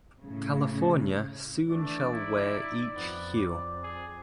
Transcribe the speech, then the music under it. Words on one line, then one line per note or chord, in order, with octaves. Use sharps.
California soon shall wear each hue.
A2 C#3
E3 A3 D4 D5
D#4 E4
F2 B3
D5
G#4